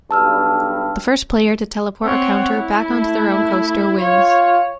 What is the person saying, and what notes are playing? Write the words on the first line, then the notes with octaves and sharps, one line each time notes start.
The first player to teleport a counter back onto their own coaster wins.
B1 G2 A5 E6 F6
C4 C#5 F#5
E4
A3
F4 C#5